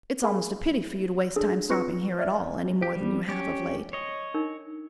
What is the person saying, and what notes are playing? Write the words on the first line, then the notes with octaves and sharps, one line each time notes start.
It's almost a pity for you to waste time stopping here at all, any more than you have of late.
G#4 A#4 F5 G#5 B5
D4 G#4 A4
C4 F4 B4 C#6 A#6 C#7
D5 E5 F6
G4
G3
C#4 G4
C#5 D#5
D4 D#4 A#4